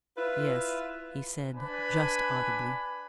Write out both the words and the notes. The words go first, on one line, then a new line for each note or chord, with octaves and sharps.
"Yes," he said, just audibly.
E4 F4 B4
D4 B4 G#5 B5